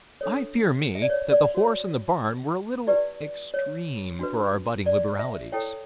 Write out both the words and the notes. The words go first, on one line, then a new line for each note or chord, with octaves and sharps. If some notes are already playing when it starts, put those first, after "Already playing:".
I fear me that the horse and the barn were a little extreme for our budding liberalities.
D4 A4 C#5
E5
D5
C#5
D5
F#4 C#5
E4 G4 B4 D5
C#5
D4 F#4 B4
D5
E5
E4 A4 C#5 G5